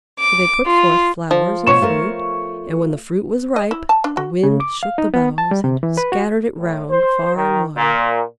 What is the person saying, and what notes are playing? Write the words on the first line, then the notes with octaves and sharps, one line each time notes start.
So they put forth flowers and fruit, and when the fruit was ripe the Wind shook the boughs and scattered it round far and wide.
D6
F4
F3
B2 C#5 C#6 E7
A3 F4 A#4
D#5
E4
A5
D4
F#4
C#3
D6
F5
D#4
B3
A5
G3
C3
E3
B4
F#4
A2
C5
D#3
A#2